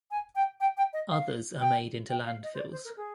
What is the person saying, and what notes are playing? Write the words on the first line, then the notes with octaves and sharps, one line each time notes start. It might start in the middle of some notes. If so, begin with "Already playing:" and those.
Others are made into landfills.
G#5
G5
G5
G5
D#5
F5
G5
G5
F5
D#5
C5
D5
C5
A#4
G#4